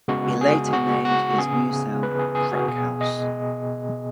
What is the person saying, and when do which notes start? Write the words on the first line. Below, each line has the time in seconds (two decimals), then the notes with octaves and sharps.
He later named his new sound "crack house".
0.08 C#3 G#3 B3 F#4
0.41 G#4
0.73 F#4
1.05 F#4
1.38 C#3 B3 G#4
2.03 B4
2.19 G#4
2.35 G#4
2.52 F#4
2.67 B2 B3 G#4
3.01 D#5